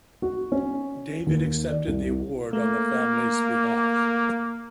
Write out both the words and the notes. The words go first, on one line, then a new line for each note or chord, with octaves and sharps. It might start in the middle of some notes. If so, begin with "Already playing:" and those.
David accepted the award on the family's behalf.
F#4
C#4
D#2
D5
C2
A3 A#3